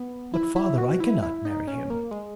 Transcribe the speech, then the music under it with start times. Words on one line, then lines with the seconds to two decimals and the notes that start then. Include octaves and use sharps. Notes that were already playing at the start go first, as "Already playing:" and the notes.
But, father, I cannot marry him.
Already playing: B3
0.34 E4
0.56 E4
0.78 F#4
1.00 E4
1.22 E4
1.45 D#4
1.67 C#4
1.90 A#3
2.11 G#3